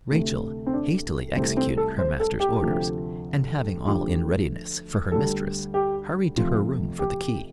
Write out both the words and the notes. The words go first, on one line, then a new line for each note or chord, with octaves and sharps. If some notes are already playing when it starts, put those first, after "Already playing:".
Rachel, hastily executing her master's orders, and having all in readiness for her mistress, hurried to her room for the key.
D2 C3 A3
C4
D4
C2 C3 A3 C4
C4
A4
C5
A4
G4
D2 C3 F3 A3
D2 D3 F3 A3 G4
D2 D3 G3 A4
G4
F2 C3 F3 A3 F4
G4